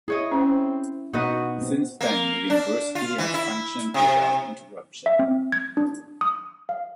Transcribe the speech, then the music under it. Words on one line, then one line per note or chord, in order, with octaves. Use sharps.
Since then the university has functioned without interruption.
E4 G#4 C#5 D#5
C4 C#4
B2 B3 D#4 F#4 B4 D#5 F#5
B3 C4
A#3
D4
F4
E3
E4
C3
E5
C4
G#6
D4
D#6
F5